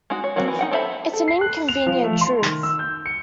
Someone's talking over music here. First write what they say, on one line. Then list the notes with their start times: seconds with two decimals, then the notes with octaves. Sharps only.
It's an inconvenient truth.
0.10 G#3 D#4 F#4
0.24 C#5
0.36 F#3 A#3 C4 F#4
0.48 E3
0.59 D#4 F#5 G5
0.71 D4 A4 C5 E5 B5
1.13 A4
1.28 C7
1.41 F#6
1.68 F7
1.86 F3
2.04 A3
2.21 C6
2.42 D#3
2.63 E6
2.79 G6
3.06 C#7